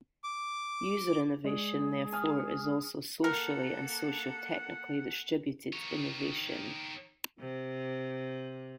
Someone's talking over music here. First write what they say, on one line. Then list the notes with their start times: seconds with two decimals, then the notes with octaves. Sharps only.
User innovation, therefore, is also socially and socio-technically distributed innovation.
0.24 D6
1.45 G#3 G#4 D5
2.13 G#5 D#6 F6
3.24 A#3 A4 A#4 F#5
5.73 D#3 C#5
7.39 C3